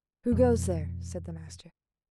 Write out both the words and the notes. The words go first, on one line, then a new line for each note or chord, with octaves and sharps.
"Who goes there?" said the master.
F2 B2